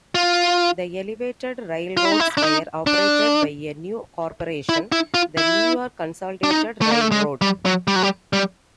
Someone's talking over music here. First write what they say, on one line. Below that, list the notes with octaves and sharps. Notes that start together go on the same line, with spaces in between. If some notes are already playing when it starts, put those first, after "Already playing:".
The elevated railroads were operated by a new corporation, the New York Consolidated Railroad.
F4
F4
E4
D#4
E4
D4
D#4
D4
E4
E4
F4
E4
D4
D#4
A3
A#3
A3
G#3
G3
F#3
G3
F#3
G3
G3